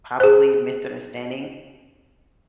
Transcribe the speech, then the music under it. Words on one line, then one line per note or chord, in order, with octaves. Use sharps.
probably misunderstanding
G#4 C5